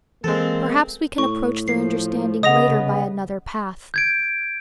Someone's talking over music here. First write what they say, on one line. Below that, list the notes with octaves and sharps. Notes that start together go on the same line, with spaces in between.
Perhaps we can approach their understanding later by another path.
E3 G#3 A#3 C4 A4
A2 C#6
F3 C7
C#3 B3 D#5 F#5 D#6 A#6 F7
G6 G#6 D7